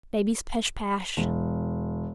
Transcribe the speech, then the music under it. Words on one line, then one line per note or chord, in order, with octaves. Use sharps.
Baby's Pesh-Pash.
E1